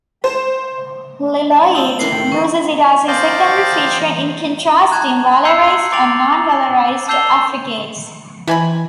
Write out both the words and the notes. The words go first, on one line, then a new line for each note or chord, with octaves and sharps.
Lillooet uses it as a secondary feature in contrasting velarized and non-velarized affricates.
C5
G5 A5 D#6 E6 F#7 G7
E2 E3 A#3 C7 F#7
A2 D#3 C4 G5
D#3 E3 C#6
C5 D5 D#5 F5 G5 A5
A#5
A5 F#6 G#6
E6 G6 G#6 C7 C#7 F7
C6 D6 A6 D7 F7 F#7
A5 E6 G6 C7 F7 G7
C3 E3 G#5 B5